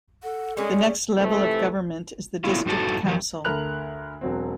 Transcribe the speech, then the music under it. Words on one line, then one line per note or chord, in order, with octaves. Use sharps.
The next level of government is the district council.
A4 F#5
G3 G#3 C#4 G#4
C3 E3 F3 A3
F#3 A3 B3 E4 F4
F#2 A2 D#4 F#4 A4 A5
E3 G4 A#4
D2 A4 A#4 B5 F#6 F7
E1 F#3 C4